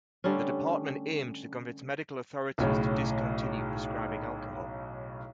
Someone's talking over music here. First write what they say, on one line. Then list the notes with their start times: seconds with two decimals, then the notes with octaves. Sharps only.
The department aimed to convince medical authorities to discontinue prescribing alcohol.
0.24 D3 G3 A3 C#4
2.58 B1 A2 C#3